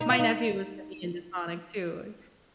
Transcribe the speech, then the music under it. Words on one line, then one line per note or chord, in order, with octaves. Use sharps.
My nephew is heavy into Sonic too.
D#4
F4
D#4